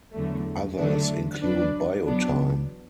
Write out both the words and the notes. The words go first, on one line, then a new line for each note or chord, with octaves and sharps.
Others include BioTime.
E2 D3 F#3 A3
D3 F#3 A3 D4
F#3 D4 B4 D5
E2 B2 F#3 B3 D4